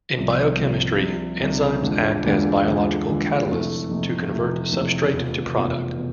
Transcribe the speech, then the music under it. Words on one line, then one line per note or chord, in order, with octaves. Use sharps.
In biochemistry, enzymes act as biological catalysts to convert substrate to product.
C2 C3 F3
C2 C3 F3
C2 C3 F3
C2 C3 F3
E2 D3 G#3 D4 F4
E2 D3 G#3 D4 F4
E2 D3 G#3 D4 F4
E2 D3 G#3 D4 F4
F2 C3 E3 A3
F2 C3 E3 A3
F2 C3 E3 A3
F2 C3 E3 A3
F1 E2 B2 B3 F4
F1 E2 B2 B3 F4
B2